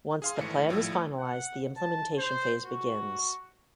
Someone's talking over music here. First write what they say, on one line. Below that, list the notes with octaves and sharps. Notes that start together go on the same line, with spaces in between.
Once the plan is finalized, the implementation phase begins.
G#4 F5 C6
G#1 E3 A3 C#7
G#1 A2 F3 E6
F#5
A5
C5
F#4